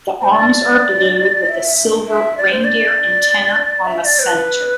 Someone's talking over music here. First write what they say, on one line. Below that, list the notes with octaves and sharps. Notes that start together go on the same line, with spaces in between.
The arms are blue with a silver reindeer antler on the center.
C5
D5
E5
E5
D5
C5
D5
E5
D5
C5
B4